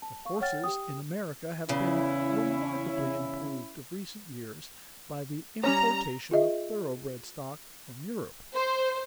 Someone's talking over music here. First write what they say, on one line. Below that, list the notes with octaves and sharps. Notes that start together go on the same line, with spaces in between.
The horses in America have been remarkably improved of recent years by the importation of thoroughbred stock from Europe.
A5
F5 C#6
C#5 F#5 G5 F6 A6
G4 G5 D#6
E2 C#3 C#4 E4
G3 C#4 C#5 A#5
F4 G#4 D#5 E5
C5